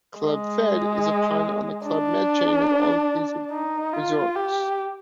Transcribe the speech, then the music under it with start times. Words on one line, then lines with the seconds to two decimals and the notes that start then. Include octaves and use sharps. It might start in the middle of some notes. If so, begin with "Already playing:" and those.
"Club Fed" is a pun on the "Club Med" chain of all-inclusive resorts.
0.20 G#3
1.86 D4
3.52 D#4
3.94 F4
4.36 G4